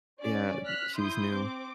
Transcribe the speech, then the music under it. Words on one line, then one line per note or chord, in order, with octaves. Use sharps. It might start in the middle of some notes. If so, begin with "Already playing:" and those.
Yeah, she's new.
C#4 D5
F6 F#6 B6
E4 C6 D#6 G6
C4 D6